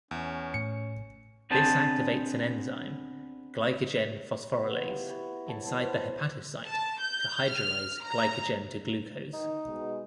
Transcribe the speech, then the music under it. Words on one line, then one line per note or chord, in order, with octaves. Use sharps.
This activates an enzyme, glycogen phosphorylase, inside the hepatocyte to hydrolyse glycogen to glucose.
E2 C#4
A2 C#7
B3 C4 D4 G#4 C5 A5
B3 F4 G4
E4 G4 A#4
F#4 B4 F#5
F#3 E4 F#5 A5
B3 A4 C5
A5
G6
F6
A#5
D#3 D#4
B2 G#3